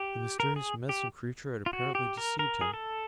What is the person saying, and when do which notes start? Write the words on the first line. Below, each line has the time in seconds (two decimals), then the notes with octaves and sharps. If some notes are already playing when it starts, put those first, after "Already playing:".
The mysterious Medicine Creatures had apparently deceived him.
Already playing: G4
0.40 A#4
0.56 G#4
0.89 G4
1.66 F4
1.73 F#4
1.95 G4
2.17 A#4
2.39 A#4
2.61 G#4
2.74 A4